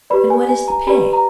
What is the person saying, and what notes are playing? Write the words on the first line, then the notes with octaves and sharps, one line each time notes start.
"And what is the pay?"
G4 B4 D5 B5
G#5
G#5
A#5
G4 B4 D5 B5
A#5